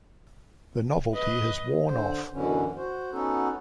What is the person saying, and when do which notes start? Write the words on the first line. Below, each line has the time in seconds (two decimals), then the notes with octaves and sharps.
The novelty has worn off.
1.13 B4 D#5
1.86 D3 C5
2.33 F#2 B2 D3 E3 C#4
2.77 F#4 C5
3.13 B3 C#4 D#4 F#4 A4